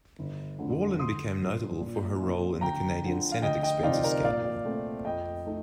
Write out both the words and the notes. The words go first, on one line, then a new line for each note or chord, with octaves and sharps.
Wallin became notable for her role in the Canadian Senate expenses scandal.
G1
F2 D3 A3 C4
G1 C6 D#6
G2 D3 F3
A#2
F3 C4 F4
D2 G5 A#5
D3 F3
F5
D2 D#5 G5
D#5 G5
C3 F3 C4 D#4 D5 F5
A#4 D5
A#2 D5 F5
A3 C4
F2 D#5 G5
A3 D#4